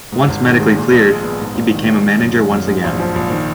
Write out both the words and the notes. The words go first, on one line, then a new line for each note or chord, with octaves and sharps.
Once medically cleared, he became manager once again.
G#2
G#1
D#3
G#3
A#2
A#1
G#3
B3
G#2
A#1
D#3
A#1
D#3
F#2
G#3
F#2
G#2
A#1
F3
A#1
D#3